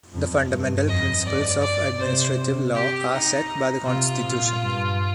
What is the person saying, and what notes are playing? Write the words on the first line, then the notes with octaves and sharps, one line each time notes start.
The fundamental principles of administrative law are set by the Constitution.
F2
G2
F2 D#5
G2 D5
D5
C3 C5
G4
D#4
C3 F4
A#2
G2